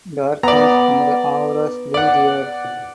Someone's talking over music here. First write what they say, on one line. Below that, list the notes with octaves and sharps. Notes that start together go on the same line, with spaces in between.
Dargins and Avars live there.
B3 D5 A#5
D5 F#5